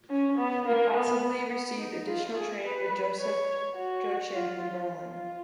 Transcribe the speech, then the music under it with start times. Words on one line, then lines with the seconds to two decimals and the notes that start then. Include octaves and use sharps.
He possibly received additional training with Joseph Joachim in Berlin.
0.10 C#4
0.38 B3
0.66 A#3
0.95 B3
1.50 B3
1.79 D#4
2.07 F4
2.36 G#4
2.63 B4
3.19 C#5
3.76 F#4
4.33 F4
4.89 F4